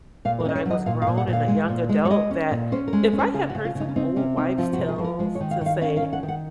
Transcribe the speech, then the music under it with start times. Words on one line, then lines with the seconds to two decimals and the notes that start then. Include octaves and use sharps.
when I was grown, and a young adult, that if I had heard some old wives' tales to say,
0.25 A#2 F5
0.40 A#4
0.45 C#4 D#5
0.55 C#5
0.66 F#3 D#5
0.86 A#2 F5
1.02 F5
1.07 A#2
1.18 F#5
1.27 A#2
1.33 F5
1.48 G#3
1.69 A#2
1.89 G#3
2.05 C#5
2.10 G#3 D#5
2.31 C#4
2.51 A#2
2.72 C#4 C5
2.88 A#4
2.93 G#3
3.03 C5
3.13 C#4
3.19 C5
3.34 C#3 G#4
3.50 F#4
3.55 C#3
3.65 F4
3.75 C#3
3.80 D#4
3.88 C#4
3.96 C4 D#4
4.16 C3 C#4
4.37 C4 D#4
4.58 F3 F4
4.73 F#4
4.78 C3
4.89 G#4
4.98 F3 C5
5.04 A#4
5.19 G#3 C5
5.35 C#5
5.40 D#3
5.51 F5
5.61 D#3 F5
5.81 C#4 F5
5.97 F5
6.02 D#3
6.13 F#5
6.23 D#3
6.28 F#5